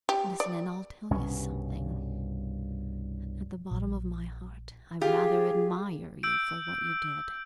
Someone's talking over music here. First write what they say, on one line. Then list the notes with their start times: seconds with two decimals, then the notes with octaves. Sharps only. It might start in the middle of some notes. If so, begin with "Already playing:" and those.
Listen and I'll tell you something--at the bottom of my heart I rather admire you for what you did.
0.09 G4
0.40 D5
1.11 C2 G2 B2 C#4
3.71 A#1
5.01 F4 G4 G#4
6.23 E6 G6 D7